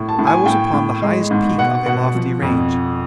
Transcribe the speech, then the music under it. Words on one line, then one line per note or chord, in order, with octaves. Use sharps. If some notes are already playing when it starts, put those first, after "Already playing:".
I was upon the highest peak of a lofty range.
Already playing: A2
A5
A2
G#5
A2 G5
A2
G#3
G#2
B2 F#5
B2 F#5
F3
F2